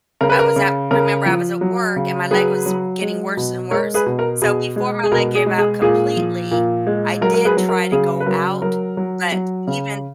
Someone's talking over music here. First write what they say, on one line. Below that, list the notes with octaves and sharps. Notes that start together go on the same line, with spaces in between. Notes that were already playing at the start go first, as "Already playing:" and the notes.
I was at remember I was at work and my leg was w getting worse and worse. So before my leg gave out completely, I did try to go out. But even
C#3 A#4
B4
A#4
C#3
C#3 A#4
F3
F#3
C#3
F#3 G#4 B4
F#3
G#3
B2
G#3 A#4 C#5
G#4 B4
B2
A#4
B2 G#4
G#3
G#4
B2 A#4
G#4
G#3
G#4
A#2 G#4
F3
A#2
G#3
F#3 A#4
A#4
G#4 B4
F#3
A#4
C#3 G#4
B4
F#3 A#4
F#3 A#4
F#3
F#3
C#3